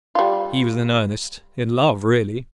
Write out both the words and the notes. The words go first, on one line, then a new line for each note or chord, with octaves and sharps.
He was in earnest: in love, really.
G3 F4